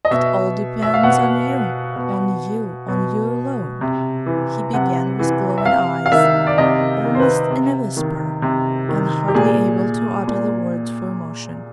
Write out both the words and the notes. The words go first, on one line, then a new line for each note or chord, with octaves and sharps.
"It all depends on you, on you, on you alone," he began with glowing eyes, almost in a whisper and hardly able to utter the words for emotion.
D#5
B2 E5
E5
F5
B2 F#5
B2
B2
C3
E3
C3 F#5
E3
E5
C3 F5
F5
D#3 E5
D5
C3 D#5
D#3
C5
B4
C3
D#3
C3
D#3
G4
A#2 G#4
A#2